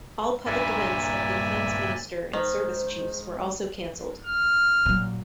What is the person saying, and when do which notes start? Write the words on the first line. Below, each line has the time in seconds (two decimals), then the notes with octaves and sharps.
All public events of the Defence Minister and Service Chiefs were also cancelled.
0.47 G2 A#2 D5 E5 G#5
2.33 D#3 G#3 C5
4.24 F6
4.86 A#2 F#3